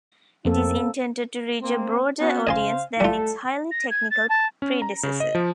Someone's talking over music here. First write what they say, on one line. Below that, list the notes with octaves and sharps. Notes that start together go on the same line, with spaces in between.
It is intended to reach a broader audience than its highly technical predecessor.
F2 A#3 C4 A4
A#3 C4
B3 C#4 F#4
C#3 C5 D#5 F5 G#5 C6
G3 A3 F4 A4
A#6
G#6
A6
A5
C#4
A#5
C#3
D#5
F3